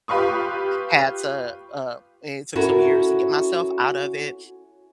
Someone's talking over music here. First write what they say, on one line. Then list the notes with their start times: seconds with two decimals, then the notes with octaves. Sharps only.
had to, uh it took some years to get myself out of it,
0.08 F4 G4 B4 F5 C#6 D#6
2.55 C#4 E4 F#4 A4 A#4